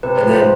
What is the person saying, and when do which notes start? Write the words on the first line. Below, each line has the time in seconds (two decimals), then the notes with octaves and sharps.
and then
0.03 C3 B4
0.18 B4
0.23 F3
0.34 C5